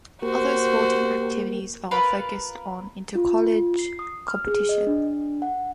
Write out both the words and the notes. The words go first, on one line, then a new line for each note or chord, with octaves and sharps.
Other sporting activities are focused on inter-college competition.
A#3 F#4 G4 A#4 C5
F4 A#4 B4 B5
F4
C7
D#6
F6
G#4
D#5
D4
F#5